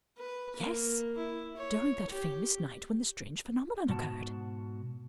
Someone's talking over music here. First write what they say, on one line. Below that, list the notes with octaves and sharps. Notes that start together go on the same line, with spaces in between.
"Yes, during that famous night when the strange phenomenon occurred."
B4
A#3
E4
C#5
G4
G#2 B2 F#4 A5